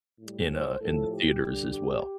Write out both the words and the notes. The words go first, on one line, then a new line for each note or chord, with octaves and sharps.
in uh, in the theaters as well.
A2
G3
C5
A2 F3 A4
G4
G2 D3 G3
G4